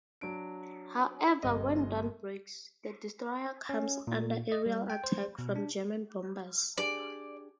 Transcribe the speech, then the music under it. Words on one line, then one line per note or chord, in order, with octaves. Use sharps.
However, when dawn breaks, the destroyer comes under aerial attack from German bombers.
F#3 D4 D7
G1 C3 D#5
C#4
A#2
D#5
G3
G5
C5
B2
D4
D4 G4 G#4 D5